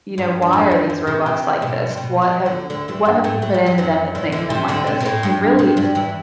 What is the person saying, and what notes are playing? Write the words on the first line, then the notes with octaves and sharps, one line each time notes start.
You know, "Why are these robots like this? What have what have we put into them that's making them like this?" It can really,
G2
E2
F#2
E2
F#2
C3
C3
B2
C3
B2
B2
D2 D3
D2 D3
E2 E3
G2 G3
A2 A3
F#3
G3
F#2 F#3
F#2 F#3
E2 E3
D2 D3
C3
D2 D3
C3
B2
A2
G2
C3
G2 G3
E2 E3